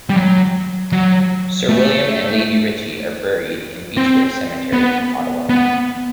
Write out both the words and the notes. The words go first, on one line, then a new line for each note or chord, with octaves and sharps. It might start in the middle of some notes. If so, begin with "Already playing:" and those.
Sir William and Lady Ritchie are buried in Beechwood Cemetery, Ottawa.
G3
F#3
F#3
A3
C4
B3
B3